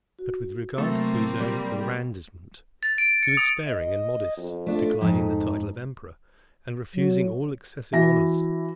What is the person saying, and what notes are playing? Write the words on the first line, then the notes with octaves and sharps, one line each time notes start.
But with regard to his own aggrandisement, he was sparing and modest, declining the title of emperor, and refusing all excessive honours.
F#4
C3 F#3 A3 A#3 C4
G3
A6
D7
C#7
D#6
D#5
F2
A3 D4 F4
F2 G#2 D#4
F#3
E3 E4 F#4 A#6